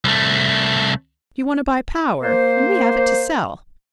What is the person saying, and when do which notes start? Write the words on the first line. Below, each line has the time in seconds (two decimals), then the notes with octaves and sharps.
You want to buy power, and we have it to sell.
0.04 C2 A3
2.21 A#3 C5